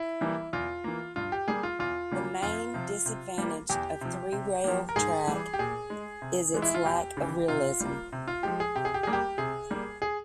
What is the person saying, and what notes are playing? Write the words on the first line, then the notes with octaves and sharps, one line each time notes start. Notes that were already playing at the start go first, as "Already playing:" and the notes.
The main disadvantage of three-rail track is its lack of realism.
Already playing: E4
E3 G3 A#3
E2 F4
E3 A#3
G2 F4
G4
G3 A#3 G#4
F4
E2 F4
C#3 G3 A#3
F2 F4
C3 F3
C3
G3 A#3
E2 G4
C3 F3
C3
F3 A#3
A#4
G#2 G#4
E3 G3
G4
A#2 G#4
G#3
C3
E3 G#3
E4
F4
E2 G4
C#3 E3
C3 F4
G3 A#3
C3
F4
F3 G#3 G4
G#4
C3 G4
G#4
G4
G3 A#3 G#4
G4
C3 G#4
G3 A#3
G#4